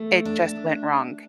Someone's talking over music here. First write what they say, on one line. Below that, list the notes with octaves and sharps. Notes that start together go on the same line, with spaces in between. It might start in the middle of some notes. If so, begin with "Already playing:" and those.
it just went wrong,
Already playing: A3
D4